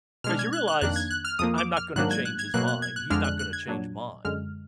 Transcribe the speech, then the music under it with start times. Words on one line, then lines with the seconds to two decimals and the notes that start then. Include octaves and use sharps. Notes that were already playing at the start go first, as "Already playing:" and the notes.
'Cause you realize, I'm not gonna change his mind, he's not gonna change mine.
0.24 B2 G#3 D4 F6
0.39 G#6
0.53 F#6
0.68 F#6
0.81 F2 D#3 A#3 D4 F#6
0.96 G#6
1.11 F#6
1.25 F6
1.39 F2 F3 A#3 D#6
1.58 D6
1.77 F6
1.96 G#2 D#3 F#3 A#3 D4 F#6
2.11 G#6
2.25 F#6
2.39 G#6
2.54 B2 F#3 A#3 F#6
2.68 F#6
2.82 G#6
2.96 F#6
3.10 F2 D3 G#3 D4 F6
3.24 F#6
3.39 F#6
3.53 G#6
3.68 A#2 F#3 D4
4.25 F#2 D3 G#3 F6